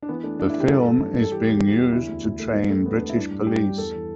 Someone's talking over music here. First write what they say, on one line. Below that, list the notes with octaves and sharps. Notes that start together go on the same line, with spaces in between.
The film is being used to train British police.
D4
E3 B3
A3 D4
E3 D4
E4
E3
G4
G2 A4
G2
G3
G3
A4
E3 G4
E2
E2
E2
D3 E4
D2
D2
A3
G3 B3
G3 A3
E2 B3
D4
G3 B3
E4
G2 D4
G2
G3 G4
G3
E2 A4
E3